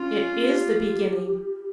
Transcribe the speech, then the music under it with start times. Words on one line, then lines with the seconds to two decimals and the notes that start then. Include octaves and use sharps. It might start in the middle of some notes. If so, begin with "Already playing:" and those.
It is the beginning!
Already playing: C#4 F4
0.45 G4